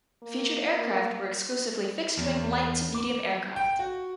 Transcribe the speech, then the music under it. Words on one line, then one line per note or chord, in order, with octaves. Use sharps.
Featured aircraft were exclusively fixed-wing light to medium aircraft.
A#3
A#3
E2
D6
G5
F#4